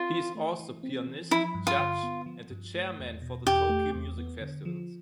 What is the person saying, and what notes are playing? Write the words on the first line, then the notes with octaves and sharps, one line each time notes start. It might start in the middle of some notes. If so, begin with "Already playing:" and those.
He is also pianist, judge and a chairman for the Tokyo music festivals.
Already playing: C4 F4
E3
A3
E3
C4
E3
F3 E4
G2
F4
D3
B3
F3
G2
A3
E2
B2
E2 G4
A3
E2
B3
D3
F3